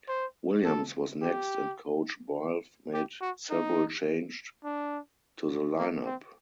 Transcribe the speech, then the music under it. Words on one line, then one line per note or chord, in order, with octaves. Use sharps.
Williams was next and coach Bawlf made several changed to the lineup.
C5
A4
G4
G4
F#4
D#4
D4
A#3
C4